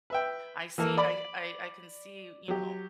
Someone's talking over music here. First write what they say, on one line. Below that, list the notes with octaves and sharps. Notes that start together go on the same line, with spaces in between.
I see I I I can see, you know,
B4 E5 G5
E3 A#3 A4 A#4
D5 B5 D6
F#3 G4